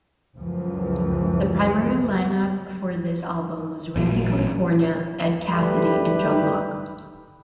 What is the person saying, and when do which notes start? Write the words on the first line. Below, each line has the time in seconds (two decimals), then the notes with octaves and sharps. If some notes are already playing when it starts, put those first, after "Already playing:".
The primary line-up for this album was Randy California, Ed Cassidy and John Locke.
0.38 C#2 F#2 E3 F3
3.96 A1 A#2 C#3 F#3
5.49 F#2 G3 A3 G4 B4